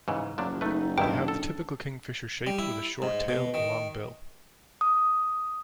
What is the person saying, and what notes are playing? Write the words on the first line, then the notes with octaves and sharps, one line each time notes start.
They have the typical kingfisher shape, with a short tail and long bill.
G#2 C#3 E3
F#1 F3 F#3 D4
A3 D#4 B4
G2 D#3 D4 E4 G5
A4
G3
E4
G#2
B2
D#3
D#6